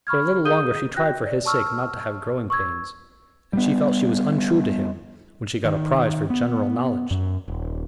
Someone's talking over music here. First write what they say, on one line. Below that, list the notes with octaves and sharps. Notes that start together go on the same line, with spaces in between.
For a little longer she tried for his sake not to have growing pains; and she felt she was untrue to him when she got a prize for general knowledge.
B5 C#6 F6 G#6
G#4 F5 D#6 G6 D#7 G7
F#4 G5 F#6 G6 A#6
C#5 D5
A5 C#6 E6 F6
C#6 E6 G#6
G3 B3
D#3
B3
F#2
D#1